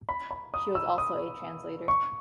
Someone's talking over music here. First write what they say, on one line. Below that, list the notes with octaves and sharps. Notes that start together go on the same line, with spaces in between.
She was also a translator.
B5
B5
D#6
E6
D#6
C#6